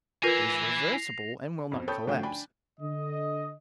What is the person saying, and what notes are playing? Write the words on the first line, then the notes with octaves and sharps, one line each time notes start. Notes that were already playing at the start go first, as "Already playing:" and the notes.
It is reversible and will not collapse.
E4 F4 A#4 B4 G#5 A#6 C7 F7
F2 B2 C4
A4 C#5 G5 B5 D#6 G6
A2 D3 F3 A3 F#4 G5
D4 G5 G#5 B5
D3 D#5